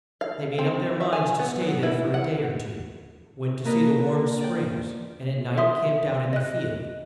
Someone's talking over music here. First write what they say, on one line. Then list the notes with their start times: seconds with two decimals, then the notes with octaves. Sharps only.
They made up their minds to stay there for a day or two; went to see the Warm Springs, and at night camped out in the field.
0.21 F5
0.58 C4
1.00 E5
1.13 G#5
1.39 B3
1.61 F#3
1.83 E4
2.14 F#5
3.65 A#3 D4 A#4 B4 D#5
4.07 D4
4.40 D5 G5
5.58 E5 C6 D#6
6.33 D#5 F#6